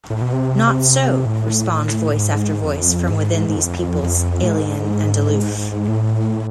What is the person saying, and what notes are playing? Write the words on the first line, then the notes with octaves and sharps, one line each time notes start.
"Not so," responds voice after voice from within these peoples alien and aloof.
A2
B2
C3
A2
G#2
F2
G#2
G#2
F2
F2
A2
G#2
A2